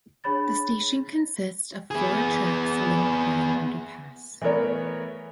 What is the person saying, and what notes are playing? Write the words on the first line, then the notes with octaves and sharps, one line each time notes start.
The station consists of four tracks linked by an underpass.
D4 G#4 C#5 B5 A6
B3 G#4
E3 A3 B3 A#4 C#5